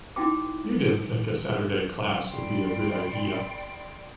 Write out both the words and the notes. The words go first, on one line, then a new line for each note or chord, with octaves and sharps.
You didn't think a Saturday class would be a good idea.
D#4 E4 F#4 G5 A5 D6
D5 G5 B5 C6